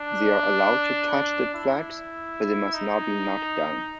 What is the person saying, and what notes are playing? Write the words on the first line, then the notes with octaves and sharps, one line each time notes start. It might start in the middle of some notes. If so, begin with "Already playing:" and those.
They are allowed to touch the flags, but they must not be knocked down.
Already playing: D4
E4
D#4